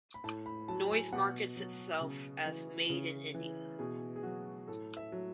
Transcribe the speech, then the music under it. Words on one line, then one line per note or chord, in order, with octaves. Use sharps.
Noise markets itself as "Made in India".
B5
A2 A5
B5
F#3 A5
G#5
B2 F#5
F#3
C#3
E3
C#3
E3
B2 G#4
G#4
F#3 F#4
A2 A4
E5
F#3